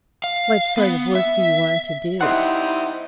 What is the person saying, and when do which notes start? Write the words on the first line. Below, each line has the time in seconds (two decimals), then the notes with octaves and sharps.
"What sort of work do you want to do?"
0.24 F5
0.78 B3
1.15 E5
2.21 G3 C4 D#4 E4 F#5 C6